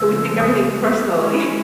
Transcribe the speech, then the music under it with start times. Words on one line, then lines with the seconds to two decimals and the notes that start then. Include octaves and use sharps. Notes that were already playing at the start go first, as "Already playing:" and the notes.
So we take everything personally.
Already playing: C#3 F3 G#3 E6
0.40 D#6
0.94 G#3 C#4 E4